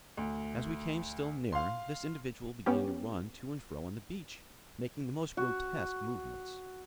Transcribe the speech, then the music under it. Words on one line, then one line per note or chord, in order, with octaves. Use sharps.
As we came still nearer, this individual began to run to and fro on the beach, making the most grotesque movements.
D2
F5 C6
B3 C#4 G4
F#4